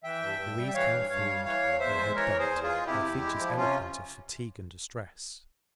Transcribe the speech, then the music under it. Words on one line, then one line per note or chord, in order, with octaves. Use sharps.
Louise came forward, her head bent, her features eloquent of fatigue and distress.
E3 E5 G5
G2
G2
G3
E5
E3 C#5 F5
G2
G2 C#5 F5
G3
E3 C#5 F5
E2
E2 C5 E5
G#3
E3 A#4 C#5
E2 G#4 C5
E2
F4 G#4
G#3
C3 E4 G4
E2
G#3
F3
C3 C#4 F4